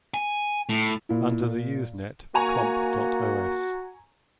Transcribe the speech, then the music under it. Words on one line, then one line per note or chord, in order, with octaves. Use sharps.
Under the Usenet comp.os.
G#5
A2
A#2 E4
A#2
A#3 F#4 G#5 A#5 C#6